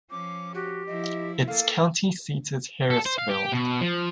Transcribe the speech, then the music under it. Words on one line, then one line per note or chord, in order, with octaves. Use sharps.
Its county seat is Harrisville.
F3 C#4 D6
F#4 G4
F3 E4 D#5
A#3 A4 F5
A4
C5
F5
G4
B2
F3